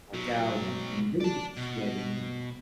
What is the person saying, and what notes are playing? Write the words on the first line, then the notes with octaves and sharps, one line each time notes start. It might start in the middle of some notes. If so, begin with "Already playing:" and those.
work out, and and really get to sweating,
B2 F#3
D5 A5
B2